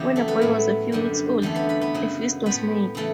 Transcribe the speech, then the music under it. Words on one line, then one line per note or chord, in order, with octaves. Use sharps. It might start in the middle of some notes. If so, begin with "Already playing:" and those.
When a boy was a few weeks old, a feast was made.
Already playing: E2 C#3 F#3 G4
A3 A4
B3 B4
A2 F#3 A3
F#2 D3 G3
E2 D3 G3 A3 A4
B3 B4
B3 B4
B3 B4
F#2 C#3 F#3
A2 G3 B3 B4
C#3 E3 A3 A4